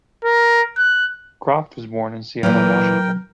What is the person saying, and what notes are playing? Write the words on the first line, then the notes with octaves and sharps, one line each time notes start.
Croft was born in Seattle, Washington.
A#4
F#6
A#2 E3 F#3 A#4 G5